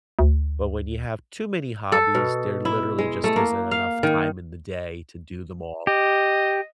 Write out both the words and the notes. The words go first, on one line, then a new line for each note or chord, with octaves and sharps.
But when you have too many hobbies, there literally just isn't enough time in the day to do them all.
D2
A4
B2
E4
G#3
A3
A#3
F5
D#3
G4 D#5